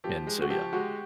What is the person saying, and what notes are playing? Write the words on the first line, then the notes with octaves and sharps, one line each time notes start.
and so, yeah.
F3 G4
G#3
F#4
F3 G4
G#3 F#4